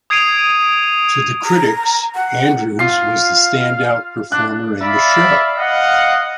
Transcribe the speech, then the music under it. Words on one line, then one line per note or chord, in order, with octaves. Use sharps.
To the critics, Andrews was the stand-out performer in the show.
D#6 G#6 C7 D7 D#7 F7
A#5
F#5
F4 F5 C7
D4 F#6
D5 E5 F5 B5
D#5 F5 F#5